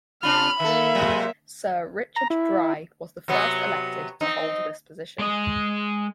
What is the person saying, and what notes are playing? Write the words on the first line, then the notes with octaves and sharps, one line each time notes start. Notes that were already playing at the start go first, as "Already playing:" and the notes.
Sir Richard Dry was the first elected to hold this position.
C3 D4 F4 B5 F6
D#3 A#3 A4 E5
C3 F#3 G#3
A#5
E4
C3 F#3 B3
C4 D#4
G#3 D#5